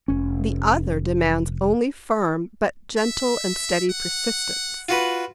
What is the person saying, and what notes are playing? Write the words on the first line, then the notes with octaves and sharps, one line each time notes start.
The other demands only firm, but gentle and steady persistence.
F1 C#4
E5
F#5
F4 F#4 B4